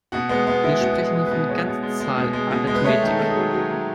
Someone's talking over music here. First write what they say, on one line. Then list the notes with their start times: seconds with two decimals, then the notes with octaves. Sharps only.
Wir sprechen hier von Ganzzahlarithmetik.
0.12 B2 F#4
0.29 G#3 B3
0.47 G#3 B3
0.64 G#3 E4
0.81 B2 F#4
0.98 G#3 G#4
1.14 G#3
1.26 B2 B4
1.49 G#3 C#5
1.66 B2
1.83 G#3
2.00 G#3
2.17 B2
2.33 G#3
2.51 B2
2.67 G#3
2.75 B4
2.84 A3 C#5
3.02 D#3 A4
3.19 D#3 A4
3.30 G#4
3.36 F#3
3.53 F#3
3.70 D#3